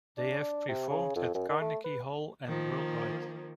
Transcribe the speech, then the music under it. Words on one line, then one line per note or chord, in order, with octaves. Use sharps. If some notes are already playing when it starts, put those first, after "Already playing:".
They have performed at Carnegie Hall, and worldwide.
D4
C3
C#3
F2
F#2
D#3
A3
B4
D#3 F3 A#3